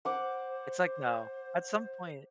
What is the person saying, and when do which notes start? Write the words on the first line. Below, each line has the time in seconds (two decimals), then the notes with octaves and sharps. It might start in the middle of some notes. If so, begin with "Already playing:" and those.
It's like, no, at some point
0.05 C5 F#5 D6